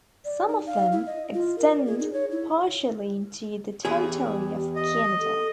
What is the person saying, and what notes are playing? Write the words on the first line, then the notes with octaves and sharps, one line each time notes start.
Some of them, extend partially into the territory of Canada.
D5
D#4
F5
E4
D#5
F4
A#4
D5
G#4
D#4
C#5
E4
E2 G4 G#4
D#5
A4